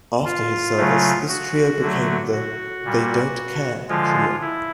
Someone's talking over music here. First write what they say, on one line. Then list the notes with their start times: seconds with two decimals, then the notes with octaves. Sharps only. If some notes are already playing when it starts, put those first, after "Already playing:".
After his service this trio became the "They Don't Care" trio.
0.25 F4
0.77 C#3 F#3 A3
1.29 F#4
1.81 D3 F#3 A3
2.33 F#4
2.84 A#2 G3
3.89 D3 F3 G#3 F4
4.41 E4